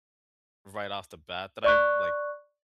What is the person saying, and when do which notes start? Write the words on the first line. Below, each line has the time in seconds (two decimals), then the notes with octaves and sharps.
right off the bat that I've, like,
1.64 D5 C#6 F#6